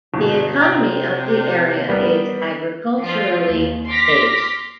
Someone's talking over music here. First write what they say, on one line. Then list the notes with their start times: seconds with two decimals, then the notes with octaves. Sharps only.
The economy of the area is agriculturally based.
0.14 G1 B2
0.61 C3 G5 A#5
1.89 G3 B3 A#4
3.00 F3 C4 F4
3.50 D#2
3.88 C6 D6 F6 A#6 B6